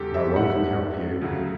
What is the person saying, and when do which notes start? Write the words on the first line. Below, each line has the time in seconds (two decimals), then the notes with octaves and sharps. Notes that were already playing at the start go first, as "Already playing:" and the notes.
No one can help you.
Already playing: E2 C#3 G3 G4 A4
0.14 E5
0.36 F#5
1.21 D2 C#3 F#3